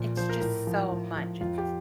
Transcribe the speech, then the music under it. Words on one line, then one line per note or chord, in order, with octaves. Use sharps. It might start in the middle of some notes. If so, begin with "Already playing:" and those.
It's just so much. It's
Already playing: A#2 F3
F3 C5
A#4
A2
F3
A2
F3
F2 F4
G4